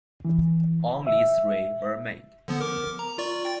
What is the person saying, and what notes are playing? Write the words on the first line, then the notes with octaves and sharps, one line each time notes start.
Only three were made.
E3
E5
D3 F3 B3
A#4 D6
A#5
F4 D5 C#6
G5 A6